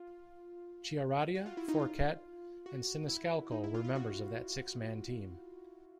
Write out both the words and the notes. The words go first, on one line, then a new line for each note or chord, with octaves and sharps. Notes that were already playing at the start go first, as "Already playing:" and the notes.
Chiaradia, Forquet, and Siniscalco were members of that six-man team.
Already playing: F4
F#4
F4
E4
D#4
F4
F#4
E4
D#4
E4
F4
F4
F#4